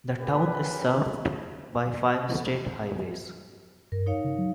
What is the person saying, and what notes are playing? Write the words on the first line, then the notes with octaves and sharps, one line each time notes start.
The town is served by five state highways.
A#2 C#3 A#3 C#4 G4 B4
G2 A#4
D#4 C#5 F5
C#3
F#3